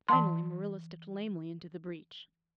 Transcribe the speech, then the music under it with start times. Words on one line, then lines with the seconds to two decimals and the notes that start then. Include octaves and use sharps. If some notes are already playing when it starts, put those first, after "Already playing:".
Finally Marilla stepped lamely into the breach.
0.08 E3 A5 C6